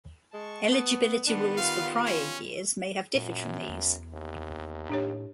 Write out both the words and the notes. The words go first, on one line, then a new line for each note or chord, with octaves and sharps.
Eligibility rules for prior years may have differed from these.
G#3 A5 C#6
B3
D#3 G3 B3 D4
F4 F5
C#4
F#2 A#2
E2
D#2
A2 D4 G4 C#5